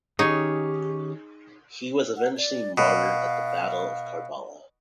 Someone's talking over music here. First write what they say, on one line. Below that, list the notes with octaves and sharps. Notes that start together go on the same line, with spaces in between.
He was eventually martyred at the Battle of Karbala.
D#3 C#4 D#4 G4 G#4 C#5
F#5
D5
B2 F5